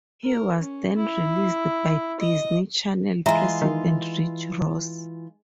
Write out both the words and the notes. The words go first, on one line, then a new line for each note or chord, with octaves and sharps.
He was then replaced by Disney Channel president Rich Ross.
A#4
C#4
E4
D#5
E3 G#3 F4 E5 A#5
D#3